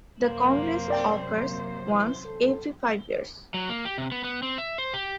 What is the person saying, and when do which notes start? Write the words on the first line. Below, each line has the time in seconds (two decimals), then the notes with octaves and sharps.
The congress occurs once every five years.
0.24 F#2 C3 A#3 C5
0.88 A#4 D5 G5
1.40 A#3
1.90 E3
2.25 A4
3.54 F#3
3.69 A#3
3.85 G4
3.98 C3
4.12 B3
4.24 B3
4.43 C4
4.58 E5
4.78 C5
4.93 G4